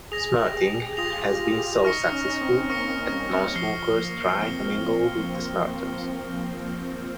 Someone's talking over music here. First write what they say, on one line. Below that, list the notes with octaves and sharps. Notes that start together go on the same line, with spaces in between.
Smirting has been so successful that non-smokers try to mingle with the smirters.
G#4 D#6 A#6 F7
G4
G4
F4 D#6 A#6 F7
D#4 C#6 F6 A#6 C#7
D#4
C#4
C4
A#3 C#6 F6 A#6 C#7
G3
F3 F6 C7 G7
A#3
C4 F6 C7 G7